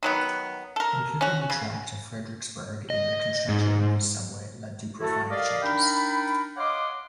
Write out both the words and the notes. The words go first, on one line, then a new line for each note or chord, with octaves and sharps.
Including the track to Frederiksberg in the construction of the subway led to profound changes.
D#3 F#3 B3
A4 A#4
C#4 F#4
C#3
D#5
G#2
A3 E4 F#4 A4
G4 A#4 D5 D#5 F5
D4 D#4 A#4 G5 B5
C#5 D#5 F5 F#5 C6 D6